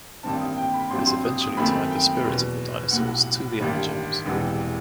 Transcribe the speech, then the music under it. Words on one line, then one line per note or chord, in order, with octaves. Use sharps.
This eventually tied the spirits of the dinosaurs to the Energems.
A1 G2 D#3 G3 C4 A5
D#6
G5
B5
A1 G2 F#3 C4 C6
C6
D#6
D#6
F#2 D#3 A3 C4 B5
G5
E2 B2 F#3 B3
B1 A2 G3 F#5
A1 G2 D#3 G3
E1 E2 C3 E3 G3